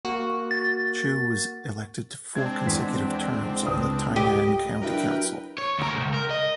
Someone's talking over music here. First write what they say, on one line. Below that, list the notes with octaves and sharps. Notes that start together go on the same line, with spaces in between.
Chou was elected to four consecutive terms on the Tainan County Council.
A#3 F#4
A6
G#3 C4 D4 G#6
E2 C6 B6
C#2 B4 D#6
G4 D#5
F#3 D4 E4 A#4 B4 G5
C#5
D2 A#4
C#2 G#2
A#4
D#5